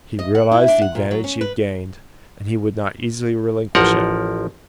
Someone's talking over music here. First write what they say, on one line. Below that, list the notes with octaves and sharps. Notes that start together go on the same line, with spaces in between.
He realized the advantage he had gained, and he would not easily relinquish it.
D#5
F#5
E4
D4
F#5
A#2
F#3
C#4
B4
A1 F3 A#4 F#5